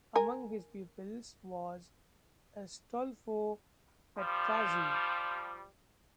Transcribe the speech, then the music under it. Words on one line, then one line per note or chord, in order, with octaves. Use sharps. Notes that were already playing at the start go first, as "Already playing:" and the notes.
Among his pupils was Astolfo Petrazzi.
A#4 G#5
F3 G3